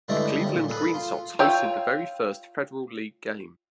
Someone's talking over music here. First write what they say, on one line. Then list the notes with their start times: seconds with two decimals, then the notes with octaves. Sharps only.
The Cleveland Green Sox hosted the very first Federal League game.
0.08 G2 D3 E3 G#3 A3 D5
0.40 D#2 G3
0.54 A#2
0.69 G#4 A4 B4
0.94 F4
1.39 F4 C#5 E5 G5